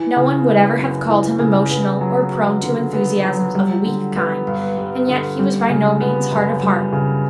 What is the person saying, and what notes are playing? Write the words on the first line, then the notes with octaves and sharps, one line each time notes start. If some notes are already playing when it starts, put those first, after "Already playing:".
No one would ever have called him emotional, or prone to enthusiasms of a weak kind, and yet he was by no means hard of heart.
Already playing: E3
C#3
B3
F#2
E3
C#3
B3
F#3
F#4
D3
B3
F#3
G3
D3
B3
G2
G3
D3
G3
C#3
B3
F#2
G3
C#3